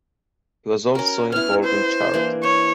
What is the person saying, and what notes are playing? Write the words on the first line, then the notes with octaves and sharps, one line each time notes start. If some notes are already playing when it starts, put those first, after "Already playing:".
He was also involved in charity.
C#4 F#4 A#4
B3 E4 F6
C5
E3 A#3 D4
C5 C#5